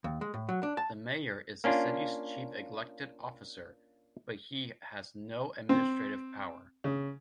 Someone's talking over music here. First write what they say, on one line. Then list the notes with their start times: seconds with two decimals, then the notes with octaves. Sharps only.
The mayor is the city's chief elected officer, but he has no administrative power.
0.04 D#2
0.21 G#3
0.34 A2
0.49 F#3
0.63 D4
0.77 A5
1.64 A#3 C#4 D4 F4
5.69 C4
6.84 C#3